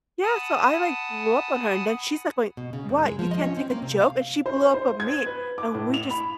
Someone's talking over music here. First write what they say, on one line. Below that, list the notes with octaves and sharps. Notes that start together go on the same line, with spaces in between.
Yeah, so I, like, blew up on her, and then she's like, going, "What? You can't take a joke?" And she blew up on me, and we just
F#5 G#5 A5 B5 D#6
B2
C#3
F#2
G#3
F3
D#5
C#4
C4
A#3
C3
F5
C5
C5
G#6
B4
D6
A2
F7
B5